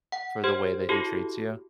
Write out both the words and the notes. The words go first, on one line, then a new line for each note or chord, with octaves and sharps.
for the way that he treats you?
F#5
G4 C5
E4 F#4 G4 A4